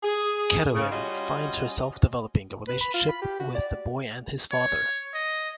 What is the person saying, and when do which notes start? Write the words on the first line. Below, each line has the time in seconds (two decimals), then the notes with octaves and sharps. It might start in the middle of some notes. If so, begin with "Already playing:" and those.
Kerewin finds herself developing a relationship with the boy and his father.
0.03 G#4
0.75 C#3
0.91 G3 C#4 F4 F#4 D#5
2.67 B4
2.81 B5
2.94 F4
3.08 B5
3.22 G4
3.40 F#4
3.55 D5
4.52 C#5
5.14 D#5